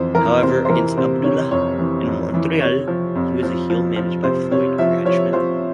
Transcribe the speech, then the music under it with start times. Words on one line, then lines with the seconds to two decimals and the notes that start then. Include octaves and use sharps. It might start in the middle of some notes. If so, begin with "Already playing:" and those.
However against Abdullah in Montreal he was a heel managed by Floyd Creatchman.
Already playing: F2 E3 C5
0.15 E3 A#4
0.42 C3 C5
0.65 C5
0.70 E3 A#4
0.97 C3 C5
1.24 C3 C#5
1.51 F2 C#5
1.79 E3
2.06 F2
2.34 E3
2.60 C3 C#5
2.88 F3
3.15 F2
3.43 F3
3.70 F3
3.96 F3
4.23 C3 C5
4.51 C3 C#5
4.79 F3 E5
5.05 F3 C#5
5.33 F3 C5